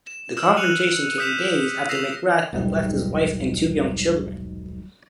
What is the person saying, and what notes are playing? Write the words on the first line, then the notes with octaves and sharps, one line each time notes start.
The confrontation came days after McGrath had left his wife and two young children.
E7
E6 F6 E7
F#6 C#7 D#7 F7 F#7
D#6 F6 G6 B6 D#7 E7
E6 A#6 C7 E7 F7
D#1 B1 G#2 G3